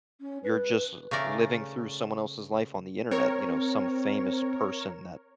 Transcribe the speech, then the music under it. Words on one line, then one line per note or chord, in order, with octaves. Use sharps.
you're just living through someone else's life on the Internet, you know, some famous person that
C#4
B4
C#3 A3 A#4 D5
C4 A#4 C#5